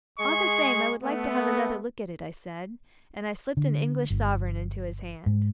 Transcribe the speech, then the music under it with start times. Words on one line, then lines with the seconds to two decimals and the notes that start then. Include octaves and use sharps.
'All the same I would like to have another look at it,' I said, and I slipped an English sovereign into his hand.
0.19 G#3 G#4 D#5 C#6
1.03 A3 B3
3.57 D3
4.10 G1
5.26 G#2